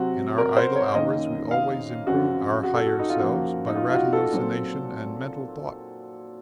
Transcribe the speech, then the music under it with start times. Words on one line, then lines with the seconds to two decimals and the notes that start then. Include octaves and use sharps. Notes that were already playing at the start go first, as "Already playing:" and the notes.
In our idle hours we always improved our higher selves by ratiocination and mental thought.
Already playing: C3 F#3 C4 F#4
0.38 A#4
0.57 C5
0.76 C#5
0.94 F#2 D#3 A#3 D#5
1.51 F5
2.07 F#2 C#3 F3 C4 F#4
2.63 F#4
2.74 A4
2.87 F#4
2.99 D#4
3.09 F4
3.19 F#2 F3 A#3 F#4
3.67 D#4
3.76 F4
3.90 F4
3.94 F#4
4.13 A4
4.32 A#2 F#3 C4